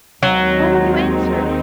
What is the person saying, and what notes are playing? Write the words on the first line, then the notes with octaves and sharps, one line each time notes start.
Why don't you answer?
D#2 D#3 F#3 G#3 C4 D#4